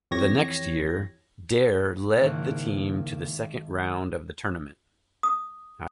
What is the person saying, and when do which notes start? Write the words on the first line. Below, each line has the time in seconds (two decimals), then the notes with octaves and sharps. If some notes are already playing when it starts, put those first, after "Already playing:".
The next year, Dare led the team to the second round of the tournament.
0.11 F2 E3 G4 C#5 G#6 A#6
2.17 G#1 C#3 A#3 E4 F#6
5.23 D#6